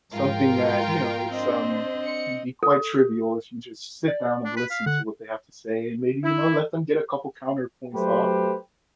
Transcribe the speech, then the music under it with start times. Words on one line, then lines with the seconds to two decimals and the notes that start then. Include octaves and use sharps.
something that you know, it's um, can be quite trivial if you just sit down and listen to what they have to say and maybe, you know, let them get a couple of counterpoints off
0.12 G#2 F3 G#3 F4 A#4 G5
1.28 C4 D4 C5 D#5
2.06 C#7
2.63 A4
4.08 D5
4.44 D4
4.57 B4 B6
4.71 F5
4.86 D3 F#5
6.23 E4
7.93 F#3 A3 G4 B4 C5